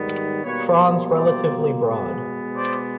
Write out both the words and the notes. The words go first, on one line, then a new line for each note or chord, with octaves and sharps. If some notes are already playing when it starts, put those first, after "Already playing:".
Frons relatively broad.
Already playing: G#2 D#3 G3 B3
B2 G3 A#3 B4 C#5
C5 D5
B2 G#3 B3
C5 D5